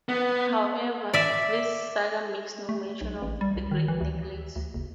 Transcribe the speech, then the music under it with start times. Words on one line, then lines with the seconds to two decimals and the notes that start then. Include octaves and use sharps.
However, this saga makes no mention of the great necklace.
0.09 B3
1.14 D5 E5
2.69 A3
3.01 B1
3.22 A1
3.41 G3
3.56 C2
3.71 D#3
3.88 E3
4.01 D2
4.56 D2
4.74 F#1